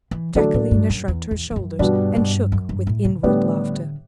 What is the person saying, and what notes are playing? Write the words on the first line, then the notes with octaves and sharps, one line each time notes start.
Jacquelina shrugged her shoulders, and shook with inward laughter.
E3
D3 F#3 A3 D4 A4
A2
G2
F#2
E2
E2
E2
F#2
G2 B2 G3 B3 D4
G2
F#2
G2
A2
C#3
A2 D3 G3 B3 D4 G4